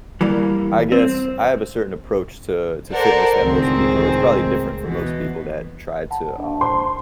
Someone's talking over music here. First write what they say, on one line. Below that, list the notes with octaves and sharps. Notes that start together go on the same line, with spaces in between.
I guess I have a certain approach to to fitness that most people it's probably different from most people that try to, um
E3 G3 A#3
C4
A4 A#4 C5 D5 F#5
C#2 A2 D#3 C4 G#4
B2 E3
F#5 A5 B5
D4 A5
C5 C6